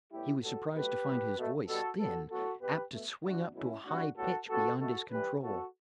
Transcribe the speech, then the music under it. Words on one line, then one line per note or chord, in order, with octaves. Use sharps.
He was surprised to find his voice thin, apt to swing up to a high pitch beyond his control.
A2 G3 B3 E4 G4
A2 G3 B3 F#4 A4
B2 F#3 A3 G4 B4
A2 G3 B3
B2 A3
B2 G3 B3 F#4 A4
A2 G3 B3 F#4 A4
A2 F#3 B3 F#4 A4
B2 G3 B3 G4 B4
B2 A3
D3 F#3 A3 D4 F#4
B2 F#3 A3 C#4 E4
A2 G3 B3 D4 F#4
A2 G3 B3 F#4 A4
C#3 G3 B3 F#4 A4
B2 A3 F#4 A4
A2 E3 G3 G4 B4
A2 G3 B3 F#4 A4